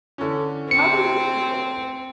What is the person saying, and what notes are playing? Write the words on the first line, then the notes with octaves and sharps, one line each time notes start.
How do you meet people?
D3 E3 C#4
C4 C#7